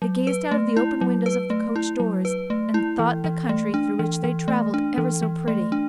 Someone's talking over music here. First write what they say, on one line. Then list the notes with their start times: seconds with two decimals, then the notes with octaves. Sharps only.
They gazed out of the open windows of the coach doors and thought the country through which they traveled ever so pretty.
0.02 F#3
0.27 B4
0.51 A3
0.77 E4
1.01 F#3
1.26 B4
1.50 A3
1.76 E4
2.00 F#3
2.25 B4
2.50 A3
2.74 E4
2.99 E3
3.24 E3
3.49 A3
3.74 D4
3.99 E3
4.24 E3
4.48 A3
4.74 D4
4.98 E3
5.23 E3
5.48 A3
5.72 D4